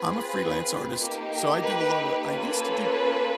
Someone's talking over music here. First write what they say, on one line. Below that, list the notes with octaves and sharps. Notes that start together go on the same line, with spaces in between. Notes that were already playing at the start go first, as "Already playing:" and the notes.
I'm a freelance artist, so I do a lot of I used to do
Already playing: C4 F4 G#4 B4
A#3 D#4 G4
B4
A#3 C#4 F4 A4 B4